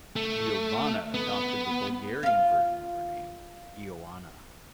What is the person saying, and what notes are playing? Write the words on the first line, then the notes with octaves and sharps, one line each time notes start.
Giovanna adopted the Bulgarian version of her name, Ioanna.
A3
B3
F4 F5